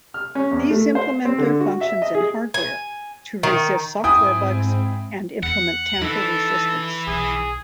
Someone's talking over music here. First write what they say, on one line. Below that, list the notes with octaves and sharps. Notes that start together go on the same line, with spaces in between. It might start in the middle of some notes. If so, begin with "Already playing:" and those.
These implement their functions in hardware to resist software bugs and implement tamper resistance.
F6
C#4
E2
A3
C5
C4
D3
F#4
E5
D#5
G#4
G#5
D#3
G#2 C4 E4 G5 G#5 D#6
E2 F#5
E3 D#4 E4 A4
B1 G#4